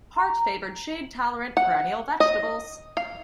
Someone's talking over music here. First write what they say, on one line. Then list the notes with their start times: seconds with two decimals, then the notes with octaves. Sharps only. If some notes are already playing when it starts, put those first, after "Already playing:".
Hart favoured shade tolerant perennial vegetables.
0.16 A#5
1.57 F#5
2.20 D#5
2.97 F5